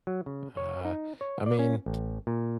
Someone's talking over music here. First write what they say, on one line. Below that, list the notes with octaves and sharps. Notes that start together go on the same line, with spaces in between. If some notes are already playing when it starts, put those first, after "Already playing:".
Ah, I mean,
F#3
C#3
C#5
D#4
C#5
D5
C#4
A1
A#2